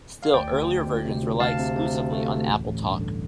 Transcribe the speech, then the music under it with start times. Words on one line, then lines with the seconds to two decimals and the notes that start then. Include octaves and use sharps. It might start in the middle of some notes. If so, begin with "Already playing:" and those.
Still earlier versions rely exclusively on AppleTalk.
0.23 F5
0.34 D2 D5 G5
0.52 D2
0.69 D2
0.88 D2
1.05 C3
1.23 D2
1.40 D2 F5 A5
1.59 C3
1.77 C3
1.94 D2
2.12 A3
2.29 D2
2.47 A1
2.65 A1
2.82 G2
3.01 D3